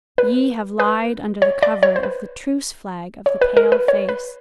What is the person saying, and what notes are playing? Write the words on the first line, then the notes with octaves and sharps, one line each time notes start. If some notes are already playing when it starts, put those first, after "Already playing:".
Ye have lied under the cover of the Truce-flag of the Pale-face.
B4
B4
C#5
D5
C#5
C5
B4
C#5
B4
A#4
B4
C#5
B4